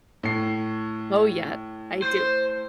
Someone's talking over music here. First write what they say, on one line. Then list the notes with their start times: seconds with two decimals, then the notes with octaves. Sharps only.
Oh, yeah. I do.
0.23 A2 C7
2.02 C5